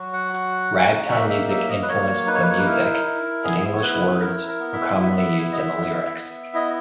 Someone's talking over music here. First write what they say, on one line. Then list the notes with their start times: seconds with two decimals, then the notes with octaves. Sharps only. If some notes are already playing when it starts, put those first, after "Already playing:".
Ragtime music influenced the music, and English words were commonly used in the lyrics.
Already playing: F#3 F#4
0.13 F#5
0.33 F#4
0.71 D#4
1.10 A#3 E5
1.29 E5
1.49 F#3 E5
1.69 D#5
1.82 B4
1.88 A#3 C#5
2.26 D#4 B4
2.35 C#5
2.43 B4
2.50 C#5
2.58 B4
2.66 E4 A#4
3.04 E4
3.44 B3 G#4
3.75 C#5
3.83 E4 B4
4.01 B4
4.21 E4 A#4
4.48 A#4
4.60 B3
4.73 E5
4.99 B3 E5
5.18 E5
5.38 E4
5.52 D#5
5.57 E5
5.77 B3
6.15 B3
6.54 E4 D#5